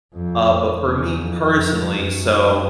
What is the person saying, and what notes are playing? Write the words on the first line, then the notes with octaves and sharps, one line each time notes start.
Uh, but for me personally, so,
F2
F2
E2
F2
F2
F#2